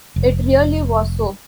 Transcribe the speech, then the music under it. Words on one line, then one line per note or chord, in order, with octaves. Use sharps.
It really was so.
F1